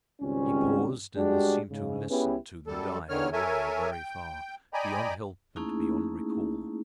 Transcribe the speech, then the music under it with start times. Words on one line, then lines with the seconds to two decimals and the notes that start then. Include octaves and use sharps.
He paused, and seemed to listen to them dying away very far--beyond help and beyond recall.
0.21 G#1 C#2 G3 C4 C#4
1.16 G2 G#3 D4 F#4 G4
1.71 G#2 C#3
2.09 B3 C#4 E4 G4 G#4 B4
2.67 F#2 G3 A4
3.09 E2 D3 D#3 C#5 F6
3.33 A4 A#4 C#5 E5 G#5
3.91 G5
4.73 D5 D#5 G5 G#5 A#5 B5
5.56 A3 A#3 C#4 D#4 E4 G#4